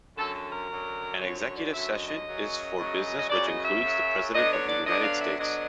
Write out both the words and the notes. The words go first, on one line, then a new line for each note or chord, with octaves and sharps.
An executive session is for business which includes the President of the United States.
F#2 D3 F#3 A4
A4
A#4
F#2 D3 F#3
F#2 D3 F#3 C#5
C#5
D5
F#2 D3 F#3 E5
D#5
D#5
F#2 C#3 F#3
F#2 C#3 F#3
D#5
F#2 C#3 F#3 D5
D#5
E5
F#2 C#3 F#3
D3 F#3 B3 D4 D#5
C#5
D5
D3 F#3 B3 D4 D#5
F5
E5
D3 F#3 B3 D4 D#5